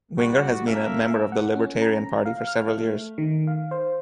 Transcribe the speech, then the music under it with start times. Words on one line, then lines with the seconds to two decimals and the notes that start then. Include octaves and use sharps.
Winger has been a member of the Libertarian Party for several years.
0.18 G3 F#4
0.66 A#3 C#4 A4 A#4 E5
1.32 F#5
1.55 C#4
1.82 A#5
2.26 F5
2.47 F6
2.69 A3
3.18 D#3
3.47 F5
3.71 C5